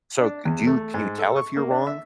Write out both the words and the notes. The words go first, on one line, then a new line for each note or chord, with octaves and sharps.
So c you can you tell if you're wrong?
D4
E2
A3
G#2
A4
C#6
A#3
D4
E5